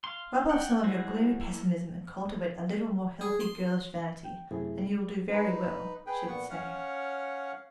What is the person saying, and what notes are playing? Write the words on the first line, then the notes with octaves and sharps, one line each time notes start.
"Rub off some of your gloomy pessimism and cultivate a little more healthy girlish vanity, and you will do very well," she would say.
F5 C6
F#5 G5
G3 G#3 E4 F#4 C5
A3 A#3 E4
G#4
C6
G5
F#2 C3 A3 E4 G#4
D#4 B4
G#4 B4 G5
A#2 B3 F#5 C#6
C#4 C#5 F5 F#5